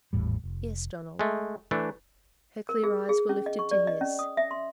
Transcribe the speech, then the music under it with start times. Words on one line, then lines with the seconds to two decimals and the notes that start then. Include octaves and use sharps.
"Yes, Donald." Her clear eyes were lifted to his.
0.13 G#1 E2 A2 G3
0.44 F1
1.19 G#3 A3
1.71 E3 A3 D4
2.69 A#4
2.84 G#4
3.09 G#4
3.29 C#4
3.46 D#5
3.59 C#6
3.71 D5
3.87 D#5
4.01 C#4
4.19 D#6
4.37 E5
4.51 C6